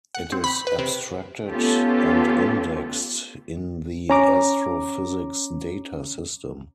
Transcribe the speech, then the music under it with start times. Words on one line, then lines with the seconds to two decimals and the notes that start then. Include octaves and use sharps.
It is abstracted and indexed in the Astrophysics Data System.
0.15 F#5
0.32 C4
0.44 B5
0.67 B4
0.78 C3
1.48 A3 B3 C#4 F4 G4 A4
4.10 C#4 A#5 D6